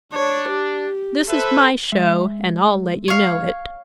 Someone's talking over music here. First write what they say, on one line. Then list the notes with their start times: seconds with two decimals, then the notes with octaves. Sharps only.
This is my show, and I'll let you know it.
0.13 D4 C#5
0.50 G4
1.29 A4 B4 C5 E5
1.92 G#3 E5
3.08 C#5 F5